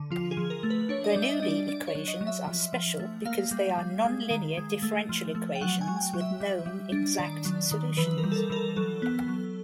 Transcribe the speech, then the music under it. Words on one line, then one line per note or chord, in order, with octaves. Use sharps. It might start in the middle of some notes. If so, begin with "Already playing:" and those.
Bernoulli equations are special because they are nonlinear differential equations with known exact solutions.
Already playing: D3
F3 F4
G#4
F3
A#4
A3
B4
D4 C#5
D#5
D5
G3
E5
D#5
D4 D#5
D5
D4 D5
C#5
F#3
D#5
F#3
E5
F3
F3
A3
A#3 F5
G3
G3
G#3
D#3
G#3
A3
F3
A3
G5
F#3 F#5
G#5
F#3
G#5
G5
F#3
E5
G3
G3
D4
D#3 D5
F#3
D#3
E3 B4
A#4
G3
A4
A#4
E3 A#4
A4
F#3 A4
B3
F#3